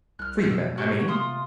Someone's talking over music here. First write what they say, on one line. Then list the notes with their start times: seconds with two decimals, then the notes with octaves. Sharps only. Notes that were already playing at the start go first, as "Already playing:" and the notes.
"Freedmen, I mean?"
0.19 C2 F6 F#6
0.48 B2 E6
0.78 F#4 G4 C#5
1.08 C3 F4 C6 D#6